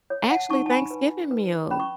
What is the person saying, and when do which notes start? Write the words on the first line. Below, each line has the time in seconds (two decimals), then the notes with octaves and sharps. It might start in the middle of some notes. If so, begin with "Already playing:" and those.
Actually, Thanksgiving meals,
0.10 C#5
0.30 F#5 A5
0.50 D#4 A5 C#6
0.66 A5
0.70 G#5 B5
0.91 B4
1.31 B4
1.71 C#4 B5
1.80 C#6